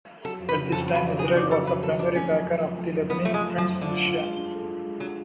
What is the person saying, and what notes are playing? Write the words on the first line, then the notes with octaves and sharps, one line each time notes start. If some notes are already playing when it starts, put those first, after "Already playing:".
At this time, Israel was the primary backer of the Lebanese Front's militia.
F#3 A4
F2
B4
C#3
F2 A4
F#3
B4
F2
C#3 G#4
F2 D4
F#3 A4
F2 B4
C#3 A4
F2 D4
A3 C#4
F#2
F3
F4
A3
F#2
F3 B3
A3 F4
G#3
A3
F#2 F3
F3
D3
F4
F4
G#3
D4
A4
F4
G#3
F#3 D4